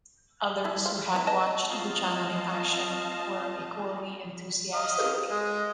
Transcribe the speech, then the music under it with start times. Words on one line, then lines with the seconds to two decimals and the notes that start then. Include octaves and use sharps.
Others who had watched Buchanan in action were equally enthusiastic.
0.64 F3 E4
0.85 C5 F5
1.13 B3 E4
1.27 B4 D#5 A5
1.68 C4 F4 D#5 F5 A5
4.74 D#5 F5
5.30 G#3 D#5